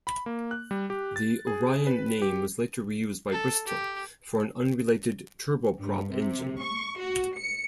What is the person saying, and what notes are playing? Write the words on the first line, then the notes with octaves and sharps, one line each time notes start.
The "Orion" name was later re-used by Bristol for an unrelated turboprop engine.
B5
A#3
F#6
G3
G4
A6
G#4
B4
G4
A4
G4
G2
C3
C#6
F#4
C#7